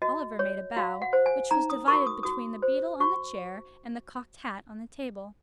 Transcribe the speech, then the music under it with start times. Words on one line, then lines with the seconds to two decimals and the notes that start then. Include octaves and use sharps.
Oliver made a bow, which was divided between the beadle on the chair, and the cocked hat on the table.
0.02 F#4 D#5
0.39 C#5
0.76 F#4 F5
1.02 F#5
1.13 C5
1.26 G#5
1.51 D#4 A#5
1.70 D#6
1.88 F#4 A#4 C#6
2.07 D#6
2.23 F#4 D#6
2.62 C5
3.00 F#4 C#6